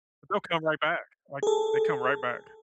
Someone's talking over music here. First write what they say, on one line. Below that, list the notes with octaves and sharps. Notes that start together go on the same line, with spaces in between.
They'll come right back, like, they come right back.
G#4 A4